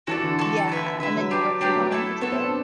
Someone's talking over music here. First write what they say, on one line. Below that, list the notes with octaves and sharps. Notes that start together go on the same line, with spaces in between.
Yeah, and then you work from home, I take it?
E3 F#4 A4 D5
D3
F#4 A4 D5
E4 B4 E5
D3 E4 B4 E5
F#3
D4 G4 B4 D5
F#3 D4 G4 B4 D5
A3
A3 E4 A4
A3 B3 E4 A4
C4
D4